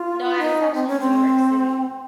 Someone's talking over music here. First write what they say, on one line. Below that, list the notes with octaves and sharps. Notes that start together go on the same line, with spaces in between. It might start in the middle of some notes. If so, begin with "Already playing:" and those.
No, I was actually in New York City.
Already playing: F4
D#4
C4
C#4
C4